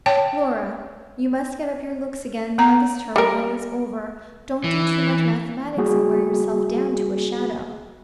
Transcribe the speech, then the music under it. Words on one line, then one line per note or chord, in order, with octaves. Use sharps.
'Laura, you must get up your looks again, now this turmoil is over. Don't do too much mathematics, and wear yourself down to a shadow.'
C#5 G5 A5
B3 A#5
G3 A#4
E3
G3 A#3 F#4 G#4